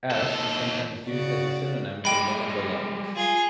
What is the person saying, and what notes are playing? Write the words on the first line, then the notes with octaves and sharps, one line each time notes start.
"S" is sometimes used as a synonym for one of the levels.
D#2 A4
C#3 F#4 D5
G3 G#3 G5 B5
F4 G#4